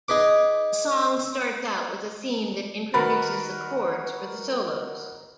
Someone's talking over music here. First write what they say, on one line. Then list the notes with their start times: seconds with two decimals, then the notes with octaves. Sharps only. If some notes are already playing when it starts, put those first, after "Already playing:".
A song starts out with a theme that introduces the chords for the solos.
0.08 D#4 G#4 B4 D6
2.94 D#3 F#4 A#4 B4 B5 A6